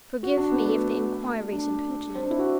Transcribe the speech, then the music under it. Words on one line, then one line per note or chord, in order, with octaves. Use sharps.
Forgive me if the inquiry is impertinent.
F#4
D4
B3
A3
D4
C4
D4
E4
F#4